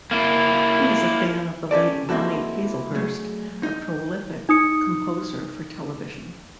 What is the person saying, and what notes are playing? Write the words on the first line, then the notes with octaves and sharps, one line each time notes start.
He is a fan of the late Ronnie Hazlehurst, a prolific composer for television.
A#3 E4
C#4 G4 A4 D5
G#3 A#3 C4 E4 F#4 A4
F#3 A3 G#4
D#4
D#4 D#6 C#7